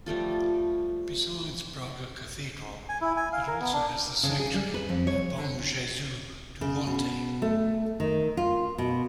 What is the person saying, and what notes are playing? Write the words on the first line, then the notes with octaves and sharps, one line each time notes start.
Besides Braga Cathedral, it also has the sanctuary of Bom Jesus do Monte.
F3 G3 A3 F4
G#5
E4
G#5
F5
A#4
B3
D4
C#3
G#4
G3
B4
F2
C#5
D3
C#3
B2
A3
D#3
F4
B2